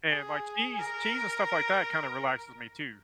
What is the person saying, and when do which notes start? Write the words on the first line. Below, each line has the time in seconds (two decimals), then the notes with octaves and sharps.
and, like, cheese cheese and stuff like that, kinda, relaxes me, too.
0.10 G#4
0.78 A#4